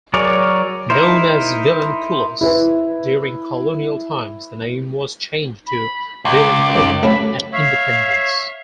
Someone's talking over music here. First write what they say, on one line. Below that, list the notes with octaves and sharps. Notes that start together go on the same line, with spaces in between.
Known as "Vilanculos" during colonial times, the name was changed to "Vilankulo" at independence.
F#3 G#4 A#4 C#5 D5
D#4 E4 A#4 C5
E4 B4
B5
C#2 D6
F#2 D#4
A3 C#4 F#4 B5
C#5 E5 F5